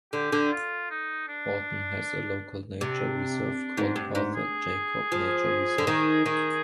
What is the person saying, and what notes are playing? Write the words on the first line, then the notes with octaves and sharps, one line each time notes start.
Horton has a local nature reserve called Arthur Jacob Nature Reserve.
D3 G4
D3
F4
D#4
D4
C3 D4
G#2
G2
G#2
G#4
F3
D3
D#3
D#3